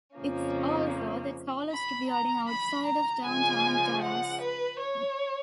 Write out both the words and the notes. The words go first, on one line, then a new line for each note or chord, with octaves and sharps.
It's also the tallest building outside of Downtown Dallas.
F2 C#3 F3 A#3 C#4
B5
A#5
B5
A#5
C#3 F3 G#3 G#5
F#5
B4
C#5